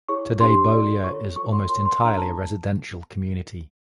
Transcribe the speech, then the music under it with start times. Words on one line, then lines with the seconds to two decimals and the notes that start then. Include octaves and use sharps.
Today Beaulieu is almost entirely a residential community.
0.09 E4 G#4 C#5 C#6
0.40 D4 G4 C5 C6
0.72 F#4 A4 D5
1.04 F4 A4 C#5 C#6
1.36 F4 A4 C#5 C#6
1.52 C6
1.69 F4 A#4 C#5 C6
1.85 C6
2.01 D4 F4 G#4 A#5
2.18 A5